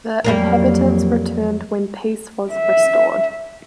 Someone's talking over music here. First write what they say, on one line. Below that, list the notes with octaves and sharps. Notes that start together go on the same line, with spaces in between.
The inhabitants returned when peace was restored.
F2 F#3 G3 A#3 A#4
E5